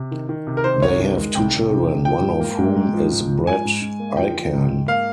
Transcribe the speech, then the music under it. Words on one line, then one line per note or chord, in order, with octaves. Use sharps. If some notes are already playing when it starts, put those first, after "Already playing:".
They have two children, one of whom is Brett Icahn.
Already playing: C3
D#3
D#3
C3
A#4
D#3 C5
C2 C#5
D#3
G#3
C2 G5
C2
C3
C3
F3 G5
G#2
A#3
G#2
G#2
F3
G#2
F3
G#2 G#5
G#2
G#2
A#3
F3 G5
F3
G#2
G#2
A#3 F5